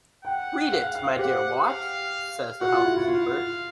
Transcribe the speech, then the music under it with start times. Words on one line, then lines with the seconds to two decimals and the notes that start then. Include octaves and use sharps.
"Read it, my dear Watt," says the housekeeper.
0.25 F#5 G5
0.72 F5
0.83 F5
0.95 F5
1.08 C5
1.19 G4 F#5
1.66 F5
2.61 F#4 F#5
2.73 F4
2.84 E4
2.97 E4
3.08 F4 F5